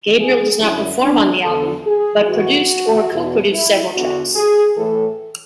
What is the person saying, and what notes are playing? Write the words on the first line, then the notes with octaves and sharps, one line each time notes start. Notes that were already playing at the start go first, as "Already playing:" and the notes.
Gabriel does not perform on the album, but produced or co-produced several tracks.
G#4
F#2 D3 E4
D4
E2 D3 A4
G#4
A2 E3 F#4
E2 B2
E4
E2 D3 F#4
G#4
A2 E3 A4